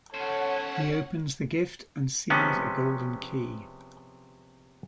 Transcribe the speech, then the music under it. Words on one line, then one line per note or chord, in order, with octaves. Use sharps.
He opens the gift and sees a golden key.
C#4 A4 C5 C#5 F#5
C3 F3 G#3 B3 C#4